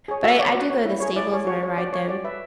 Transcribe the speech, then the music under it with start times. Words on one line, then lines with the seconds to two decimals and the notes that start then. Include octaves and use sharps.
But I I do go to the stables and I ride them
0.08 G#4 C#5
0.24 F#4 E5
0.39 C#5 D5
0.54 F#4
0.70 C#5
0.85 E4
1.00 G#4 C#5
1.16 E4 D5
1.31 G#4 C#5
1.47 F#4 C#5
1.63 C#5
1.77 F#4 D5
1.93 C#5
2.09 F#4 D5
2.24 B4 E5